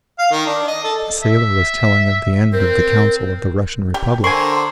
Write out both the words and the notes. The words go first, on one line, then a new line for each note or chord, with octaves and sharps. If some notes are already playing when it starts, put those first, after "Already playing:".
A sailor was telling of the end of the Council of the Russian Republic.
F5
D#3
D4
D#5
A4
E5
C4 A#4
G4
D3 A#4 C5 G#5 C#6 C7